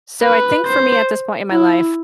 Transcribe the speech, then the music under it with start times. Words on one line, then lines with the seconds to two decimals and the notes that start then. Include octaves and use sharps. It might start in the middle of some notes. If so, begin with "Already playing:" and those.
So, I think for me at this point in my life,
0.22 B4
0.66 C5
1.51 E4